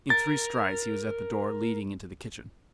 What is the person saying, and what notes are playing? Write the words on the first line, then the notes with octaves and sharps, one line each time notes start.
In three strides he was at the door leading into the kitchen.
A#4 A6